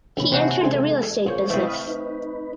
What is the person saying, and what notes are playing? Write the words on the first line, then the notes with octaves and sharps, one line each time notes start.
He entered the real estate business.
A#1 C3 D#3 A#3 G4 C#5 B5
C3 E3 C4 F#4 C5 G#5 A5
C3 G#3 A4 C6 G#6
A#2 G#4 C5 C#5 C#6 G6
E3 A3 C4 E4 D#5 F5 B5
D#4 B4